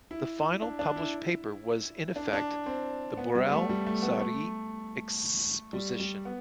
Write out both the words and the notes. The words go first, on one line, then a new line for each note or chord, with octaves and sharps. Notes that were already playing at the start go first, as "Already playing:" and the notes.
The final published paper was in effect the Borel-Serre exposition.
E4
D4
D4
E4
D4
D4
C4
B3
G3
A3
G3
A3
B3
A3
G3
G3
B3